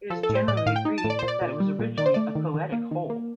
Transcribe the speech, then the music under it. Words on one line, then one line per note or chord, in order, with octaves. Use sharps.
It is generally agreed that it was originally a poetic whole.
F3 A4
A4
A2
C5
A2 D5
D#5
A2 F5
G5
D#4
A5
A2
D5
A#2 C5
D5
A#2
G3
A#2
D#3 D5
C5
A3 D5
D#3
D#3
A#3
D#3
A#3